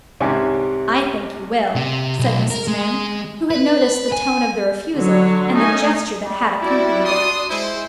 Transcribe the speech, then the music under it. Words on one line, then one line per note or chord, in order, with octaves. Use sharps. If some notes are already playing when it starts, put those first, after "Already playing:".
'I think you will,' said Mrs. Mann, who had noticed the tone of the refusal, and the gesture that had accompanied it.
C2 G#2 C3 C#4 G4 G#5
C3
B1
A#4
G#3
B4
G#5
D3 F#3 C#5
A3 C#4 D#4 D#5 G#5
G3
E4 F#4 D5
D4 C6 D#6
G#3 E4 C5